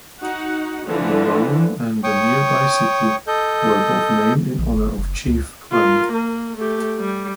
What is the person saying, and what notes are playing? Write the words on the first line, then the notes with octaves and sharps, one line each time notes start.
The mound and the nearby city were both named in honor of Chief Clermont.
D#4 F#4 F#5
D3 E3 F3
C#5 G5 C#6 D#6
A4 D#5 G6
A#1
G1
F#1
C#2
F4 A#4
A#3
A3 G4
G3